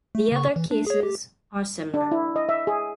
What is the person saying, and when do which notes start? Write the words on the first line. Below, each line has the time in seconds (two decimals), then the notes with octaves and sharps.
The other cases are similar.
0.15 A3
0.32 C#3 C#6
0.56 E3
0.71 D4
0.87 G#4 C#5
1.03 G4
1.94 D4
2.11 E4
2.36 D#5
2.49 E5
2.67 G#4